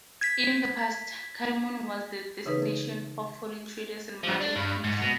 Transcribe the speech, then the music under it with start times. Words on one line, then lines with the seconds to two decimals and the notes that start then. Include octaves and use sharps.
In the past, Karimun was the destination of foreign traders and the Malay Kings.
0.21 G#6 B6
2.46 C#3 E3 D#4 G#4 B4
4.24 G2 F3
4.41 D4
4.56 G2
4.84 G#2
5.02 B2